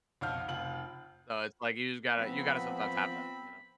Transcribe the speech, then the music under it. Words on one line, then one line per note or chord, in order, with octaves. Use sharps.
So, it's like you just gotta you gotta sometimes have that, you know?
B1 F2 F5 F#5 F6 G6
F1 F4 F#7
F3 B3 C4 B5